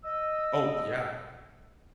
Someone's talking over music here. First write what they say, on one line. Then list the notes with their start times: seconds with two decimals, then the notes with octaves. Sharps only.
Oh, yeah.
0.04 D#5 E6